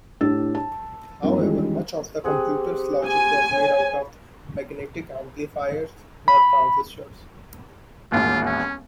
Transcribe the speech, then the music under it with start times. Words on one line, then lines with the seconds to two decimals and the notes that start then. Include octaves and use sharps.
However, much of the computer's logic was made out of magnetic amplifiers, not transistors.
0.21 A2 D4 E4 G4 E6 A6
0.55 A5
1.22 G2 F3 A#3 C4 D#4 F4
1.38 D#3 E3 G3 G#3 C#4 F4
2.24 C4 G4 G#4 F#5
3.07 G#5
3.51 C#5
6.28 B5
8.12 E1 A1 D#2 F4
8.46 C#4